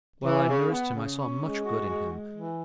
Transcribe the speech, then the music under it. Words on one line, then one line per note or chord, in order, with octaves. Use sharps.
While I nursed him I saw much good in him.
E3
C#3
B3
C#3
C#4
G#3
F#4
G#3
G#3
E3